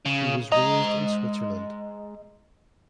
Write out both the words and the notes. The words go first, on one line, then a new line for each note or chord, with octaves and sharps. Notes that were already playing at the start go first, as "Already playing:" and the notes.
He was raised in Switzerland.
C#3
G#3 D#5 A#5